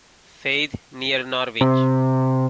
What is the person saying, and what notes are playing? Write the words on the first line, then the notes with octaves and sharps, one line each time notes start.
Faith, near Norwich.
C3